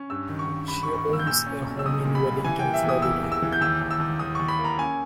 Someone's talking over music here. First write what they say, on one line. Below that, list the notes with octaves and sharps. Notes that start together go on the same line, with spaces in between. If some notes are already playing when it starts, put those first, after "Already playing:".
She owns a home in Wellington, Florida.
Already playing: C#4
G2 E6
D#3
C#6
D#3
G2 B5
D#3 C#6
C#6
A#3
E6
G6
A#2 E6
C#4
B1
E6
B1 D#6
A#2
B5
G3
E3 G#5
A#3 G5
E5
E2
D#6
E2 E6
E2
E6
E3
G6
D#2 E6
D#2
E6
D#2
D#2 D#6
D#2 C#6
B5
A#3
A#5
C#4 G#5